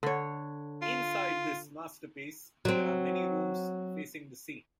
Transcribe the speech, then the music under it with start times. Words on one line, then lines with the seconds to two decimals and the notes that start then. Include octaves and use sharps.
Inside this masterpiece there are many rooms facing the sea.
0.03 D3 C#5
0.82 F4
2.65 F#3 C4